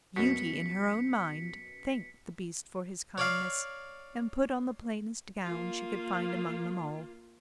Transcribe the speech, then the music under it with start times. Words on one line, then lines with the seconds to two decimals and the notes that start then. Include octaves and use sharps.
Beauty, in her own mind, thanked the beast for his kindness, and put on the plainest gown she could find among them all.
0.16 F#2 B2 B6 C#7
3.18 C#5 D5 F5
5.44 A#3 F4